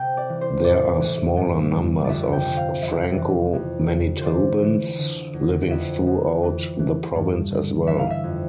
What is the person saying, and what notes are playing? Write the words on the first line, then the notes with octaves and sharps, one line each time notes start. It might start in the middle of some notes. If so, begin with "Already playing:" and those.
There are smaller numbers of Franco-Manitobans living throughout the province as well.
Already playing: C3 G5
D5
E3
C5
A2 D5
E3
G2
D3
F2 D5 E5
G5
C3
F5
F2 E5
E3
F2
D3
E3 C5 D5
E3
D3
E2
F2 E5
F2
E3
E3
G2
D3
E3 E5
F5
E5
F2